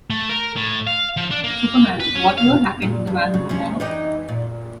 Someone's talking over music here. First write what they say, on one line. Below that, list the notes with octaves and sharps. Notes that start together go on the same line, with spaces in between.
Superman: Whatever Happened to the Man of Tomorrow?
A3
A#4
A2
F5
F3
D4
A#3
B4
C#4
F5
A#2
G2
C#3
C3 C#4
E3 D#4 G4
A#2